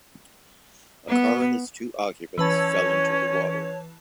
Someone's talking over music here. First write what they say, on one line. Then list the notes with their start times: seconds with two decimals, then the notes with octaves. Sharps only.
A car and its two occupants fell into the water.
1.08 B3
2.38 E3 C#4 B4 C#5 A5